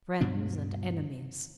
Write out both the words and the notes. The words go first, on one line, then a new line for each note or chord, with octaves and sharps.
"Friends and enemies!"
D2 G2 B2 D4